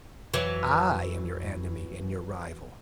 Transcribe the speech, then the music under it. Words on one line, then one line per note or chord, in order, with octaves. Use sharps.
I am your enemy and your rival.
F2 E3 F#3